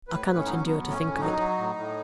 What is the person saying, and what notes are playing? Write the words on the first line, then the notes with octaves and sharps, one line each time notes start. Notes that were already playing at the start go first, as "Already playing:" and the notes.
I cannot endure to think of it.
A2 B4
A2
C#4
F#3 D#4
C#4
F#3 B3
A2
C#4
A2
F#3 D#4
F#3
A2
A2